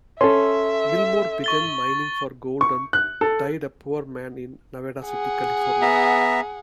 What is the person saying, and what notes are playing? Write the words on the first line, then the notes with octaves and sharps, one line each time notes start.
Gilmore began mining for gold and died a poor man in Nevada City, California.
C#4 A4 E5 C6
C#6 A6 G7
C#6
F#6
A4
G#4 F#5
B3 E5 A#5